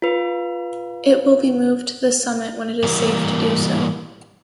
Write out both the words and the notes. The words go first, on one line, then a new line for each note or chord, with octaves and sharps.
It will be moved to the summit when it is safe to do so.
F4 B4
E3 G3 A#3 A#4